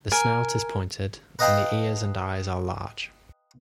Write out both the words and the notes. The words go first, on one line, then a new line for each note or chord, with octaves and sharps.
The snout is pointed and the ears and eyes are large.
A#4 G#5
B4 D#5 F5 G5 A5 B5